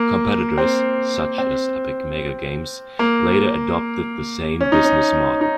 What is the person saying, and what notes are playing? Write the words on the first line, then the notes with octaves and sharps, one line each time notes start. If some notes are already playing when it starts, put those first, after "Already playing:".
Competitors such as Epic MegaGames later adopted the same business model.
Already playing: A#3
C4
C4
A#3
C#4
D#4
C#4
D#4